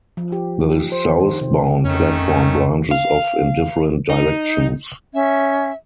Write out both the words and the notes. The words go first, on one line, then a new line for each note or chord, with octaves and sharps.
The southbound platform branches off in different directions.
F3
G4
C5
D#3
C3
F2 D#3 A3 C#4
F5
D#4
C#4 E5